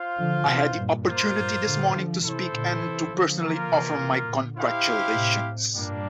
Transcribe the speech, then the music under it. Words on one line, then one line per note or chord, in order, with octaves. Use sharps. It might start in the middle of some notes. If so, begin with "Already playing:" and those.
I had the opportunity this morning to speak and to personally offer my congratulations.
Already playing: F4 C5 F5
D3 F3
C3 E3
G2 A#2
A#3 F4 C5
G2 A#2
A#2 D3
D3 F3
C3 E3 E4 A4 C5
A#2 D3
C3 E3
D3 F3
A#3 F4 A#4
C3 E3
C3 E3
A#2 D3
E4 G4 C5 F5
A2 C3
G2 A#2 G3 A#3 D4